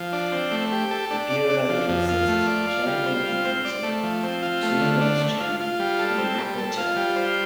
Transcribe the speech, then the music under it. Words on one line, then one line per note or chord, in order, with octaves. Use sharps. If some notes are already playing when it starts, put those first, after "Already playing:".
The Bureau consists of the Chairman of the Committee, two Vice-Chairmen and the Rapporteur.
Already playing: F3
D4
C4
A3
G4
A4
D4
D5
D4
F3
F2
F4
A3
D5
F4
G3
C5
F4
C4
D5
A3
F3
C4
F4
A3
D3
D4
A3
F4
F4
G3
A4
C4
G3
A4
F4
G3
C5